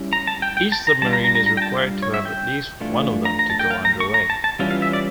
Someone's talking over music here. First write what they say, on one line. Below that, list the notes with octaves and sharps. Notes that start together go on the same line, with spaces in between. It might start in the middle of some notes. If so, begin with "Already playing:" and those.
Each submarine is required to have at least one of them to go underway.
Already playing: G3 C#4 E4
A#5
A5
G5
G5
A5
A#5
G3 D4 F4 A5
A#5
A#5
A#5
A#5
G5
A5
F5
C#5
E5
G5
E3 A3 D4 F4
A#5
A#5
A5
G5
F5
A#5
C#6
A#5
A5
A5
E3 G3 C#4 F4
F5
E5
D5